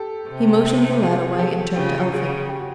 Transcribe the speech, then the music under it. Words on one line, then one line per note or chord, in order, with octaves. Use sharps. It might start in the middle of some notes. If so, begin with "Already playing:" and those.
He motioned the lad away, and turned to Elphick.
Already playing: G4 A4
C3
F#4 G#4
G#4
G4 A4
C#3 F4 G4
C#3 F#4 G#4
G4
F#4